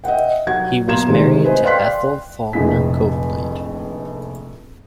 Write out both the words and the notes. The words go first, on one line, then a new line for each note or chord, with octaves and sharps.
He was married to Ethel Faulkner Copeland.
D#5 E5 F#5 G5
F#3 F#5 G#6
B1 A#2 F4 A#5 G#6 E7
A2 C3 D#3 G#3
B4 C5 D#5 G#5
D5 F5 G5 C6 F#6 B6
F1 A#1 F2 A2 G#4 B6